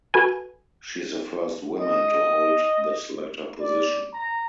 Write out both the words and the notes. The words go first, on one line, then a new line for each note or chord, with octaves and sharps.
She is the first woman to hold this latter position.
F#4 A4 B4 G#5
D#5
D5
A#5